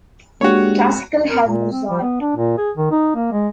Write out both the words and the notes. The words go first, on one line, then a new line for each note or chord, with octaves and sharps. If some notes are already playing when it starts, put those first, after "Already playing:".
Classical had Mozart.
G#3 A#3 D4 F#4 G4 C#5
A#4
A#2
C4
F3
B3
D4
A#2
G#4
D#3
D#4
A#3
G#3